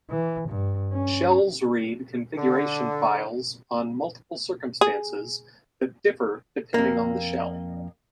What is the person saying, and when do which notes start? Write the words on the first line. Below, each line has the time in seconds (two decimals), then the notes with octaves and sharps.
Shells read configuration files on multiple circumstances that differ depending on the shell.
0.10 E3
0.49 G2
0.92 C#4
2.37 D3
4.81 G#4
6.74 F2 A#3